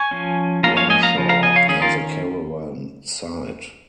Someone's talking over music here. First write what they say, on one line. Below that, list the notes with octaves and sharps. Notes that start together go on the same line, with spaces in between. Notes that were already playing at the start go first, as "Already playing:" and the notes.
Ramshaw has a caravan site.
Already playing: G#5 C#6
F3 C#4
F3 A#3 C#4 F5 A#5
C#5 F5
D#5 G#5
F5 A#5
C#3 F3
F5 A#5
D#5 G#5
C#5 F5
D#3 C#4 G#4
F4 A#4